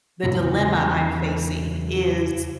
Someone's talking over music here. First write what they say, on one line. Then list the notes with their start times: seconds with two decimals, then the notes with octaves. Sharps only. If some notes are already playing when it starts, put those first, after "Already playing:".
the dilemma I'm facing is
0.24 E2 C#3 E3 B3